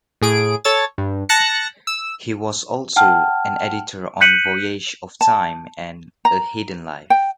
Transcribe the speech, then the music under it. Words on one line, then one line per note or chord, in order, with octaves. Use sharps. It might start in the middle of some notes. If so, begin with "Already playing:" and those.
He was also an editor on "Voyage of Time" and "A Hidden Life".
A2 G#4 D7
A4 C#5 E6 A6
G2
A5 F#6 A#6 C#7
E6
F#5 G5 A5 F6
F#6 G6 B6 C#7 D#7 F#7
A5
A#5
G5